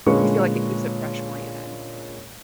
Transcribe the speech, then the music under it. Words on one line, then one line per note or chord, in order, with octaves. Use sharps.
You feel like it keeps it fresh for you, then?
A#2 D3 G#3 C#4 B4 C#6